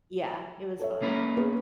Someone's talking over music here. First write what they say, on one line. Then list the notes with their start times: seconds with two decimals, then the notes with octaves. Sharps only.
yeah, it was fun.
0.79 A4 C#5 E5
1.02 A#3 C#4 B4
1.37 B3 G#4